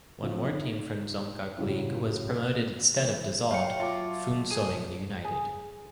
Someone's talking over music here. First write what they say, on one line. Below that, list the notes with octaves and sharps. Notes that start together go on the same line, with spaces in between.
One more team from Dzongkhag League was promoted instead of dissolved Phuentsholing United.
D3 F3 F#3 C4
D#4
F#2 A2 C#3 F#3 G3
E3
F#3 C#5 F5 G5 C#7
F4 E5 A5 D6
G#4 G#5 A5 D#7
G#4